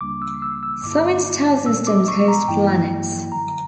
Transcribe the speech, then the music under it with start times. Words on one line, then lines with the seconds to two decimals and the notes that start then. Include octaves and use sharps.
Seven star systems host planets.
0.01 C#2 C#3 G3 A#3 D4 D6
0.22 E6
0.42 E6
0.63 E6
0.83 G2 D3 A#3 E4 D6
1.66 A#2 G3 B3 D4 E6
1.87 D6
2.08 C#6
2.28 A#5
2.48 G2 E3 A#3 E4 G5
3.32 F#2 D3 F#3 A#5